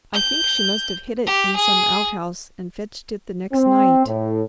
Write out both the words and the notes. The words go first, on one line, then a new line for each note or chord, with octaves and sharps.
I think she must have hid it in some outhouse, and fetched it the next night.
G6
G4
G#4
C4
A2